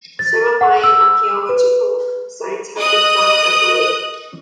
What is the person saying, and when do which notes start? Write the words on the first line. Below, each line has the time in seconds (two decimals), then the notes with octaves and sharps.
Several Mayan archaeological sites have been found at the lake.
0.19 A6
0.61 F#5
0.84 E6
1.49 B4
2.78 D#5 D#6 F#6